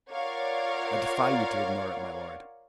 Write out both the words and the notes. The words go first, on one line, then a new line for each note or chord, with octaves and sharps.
"I defy you to ignore it, my lord."
F4 A#4 C#5 D5 F5 F#5